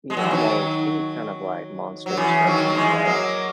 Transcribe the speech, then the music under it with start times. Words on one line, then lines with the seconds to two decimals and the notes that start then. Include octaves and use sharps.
you know, I'm always any kind of, like, monster destruction stuff.
0.10 G#3
0.17 F#3
0.24 E3
0.31 D#3 F#3
2.06 F#3
2.17 C#3 E3
2.42 E3
2.46 D#3 F#3
2.70 A#3
2.76 E3 G#3
3.05 F#3 A#3